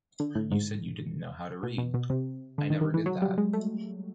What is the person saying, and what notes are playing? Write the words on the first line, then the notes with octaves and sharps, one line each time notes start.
You said you didn’t know how to read. I never did that.
D3
A2
G#2
B2
B2
B2
C3
D3
D#3
D#3
E3
F#3
G3
G#3
A3